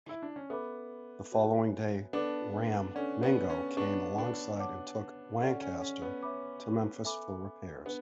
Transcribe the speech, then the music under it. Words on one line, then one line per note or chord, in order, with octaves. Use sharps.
The following day ram "Mingo" came alongside and took "Lancaster" to Memphis for repairs.
E4
D4
C#4
B3 A4 E5 B5 D6
F#4 C#5 E5 G#5
B3 D4 A4 D5 A5 D6
C#4 D4 A4 D5 F#5
B3
C#4
B3 D4 C#5 F#5 C#6
B3 D4
C#5 F#5 A5 D6
C#4 A4 D5 F#5
C#4
C#4
B3
C#5 E5 B5 D6
A4 E5 G#5 B5 D6
B3 D4